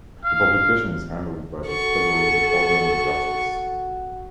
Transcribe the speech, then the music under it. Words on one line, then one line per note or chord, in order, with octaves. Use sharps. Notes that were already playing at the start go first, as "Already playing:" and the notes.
The publication is handled by the Federal Department of Justice.
F5
F#4 A4 C#6